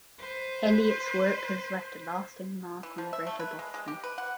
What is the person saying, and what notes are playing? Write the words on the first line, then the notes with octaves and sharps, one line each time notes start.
Eliot's work has left a lasting mark on greater Boston.
B4 C5
E3
F3
E5
A3
B4
G#3
G#3
G4
B4
F#5